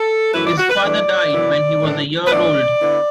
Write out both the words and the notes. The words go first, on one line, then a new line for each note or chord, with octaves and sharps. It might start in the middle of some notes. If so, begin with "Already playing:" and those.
His father died when he was a year old.
Already playing: A4
F#2 E3 A3 E4 B4
D5
F#4
B4
E2 E3 A3 D4 D5
F#2 E3 B3 E4
A2 E3 D4
B4
A2 F#3 B3 D4 D5
D3 B3 E4